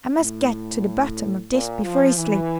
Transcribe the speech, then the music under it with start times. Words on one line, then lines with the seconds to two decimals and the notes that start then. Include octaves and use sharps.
'I must get to the bottom of this before I sleep!
0.18 A2
1.50 A#2
1.83 F3
2.16 E3